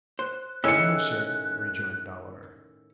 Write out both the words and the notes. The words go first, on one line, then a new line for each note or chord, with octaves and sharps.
'No, sir,' rejoined Oliver.
C5 F#6
A2 D#3 C#4 G#4 E6 C#7